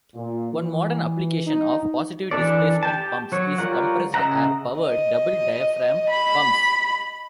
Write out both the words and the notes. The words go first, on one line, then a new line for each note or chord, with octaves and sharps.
One modern application of positive displacement pumps is compressed-air-powered double-diaphragm pumps.
A#2
E3
D#4
E3 D4 A4 D5
G4 G5 A5
F#3 C#5
G3 F4 A#4 C#5 F#5
C#3 D#5 E5 F#5 A#5
D#5
B5